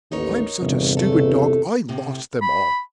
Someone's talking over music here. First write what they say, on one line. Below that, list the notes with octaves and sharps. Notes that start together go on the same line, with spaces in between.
I'm such a stupid dog I lost them all!
A1 D#2 D#4 A#4 C#5
G1 E2 C3
A3 A4
E2 A2 C3
B5